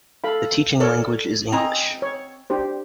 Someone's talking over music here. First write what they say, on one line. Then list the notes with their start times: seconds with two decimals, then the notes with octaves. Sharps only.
The teaching language is English.
0.24 A4 F5 B5
0.80 A4 A#4 C#5 D5
1.52 C4 D#5 G#5 A#5
2.02 C#5
2.50 D4 G4 C5